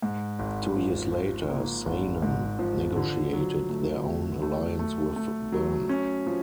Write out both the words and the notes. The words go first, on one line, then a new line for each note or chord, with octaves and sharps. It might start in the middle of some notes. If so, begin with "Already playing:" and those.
Two years later Saanen negotiated their own alliance with Bern.
G#2
G#1
F3
F3
A#3
G#1
G#2
F3
D3
F#3
A3
A3
A3
A3
A3
F#3
C#4
F3